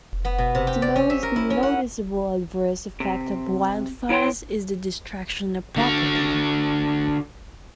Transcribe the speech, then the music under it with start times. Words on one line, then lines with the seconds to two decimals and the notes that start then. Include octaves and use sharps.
The most noticeable adverse effect of wildfires is the destruction of property.
0.25 B3
0.38 B2
0.55 C3
0.67 G4
0.82 D5
0.96 C#4
1.10 E5
1.23 A#4
1.36 E4
1.50 C#4
1.63 F#5
3.00 C3
4.09 E2 E4 C#5 G5 C6
5.76 D3 F#4